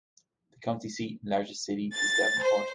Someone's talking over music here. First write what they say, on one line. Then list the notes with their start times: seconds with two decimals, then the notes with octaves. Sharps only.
The county seat and largest city is Davenport.
1.92 A6
2.40 C5